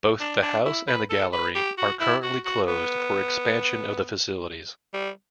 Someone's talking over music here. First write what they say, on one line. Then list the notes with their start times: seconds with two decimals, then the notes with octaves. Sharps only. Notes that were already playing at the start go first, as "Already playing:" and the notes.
Both the house and gallery are currently closed for expansion of the facilities.
0.20 D4
0.42 D4
0.65 E4
0.88 B4
1.10 A4
1.33 B4
1.55 G4
1.78 F#4
2.00 E4
2.23 F#4
2.45 F#4
2.67 B3
4.94 G3